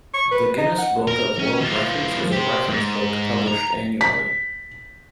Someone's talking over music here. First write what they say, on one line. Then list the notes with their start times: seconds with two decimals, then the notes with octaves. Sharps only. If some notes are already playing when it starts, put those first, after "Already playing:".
The Guinness Book of World Records is a reference book published annually.
0.14 C#6
0.31 B4
0.58 D#4
0.78 F#5
1.08 A#4
1.39 C#4
1.61 E3 F4
2.32 G4 C5
2.69 G#2
3.48 A#5
4.01 B6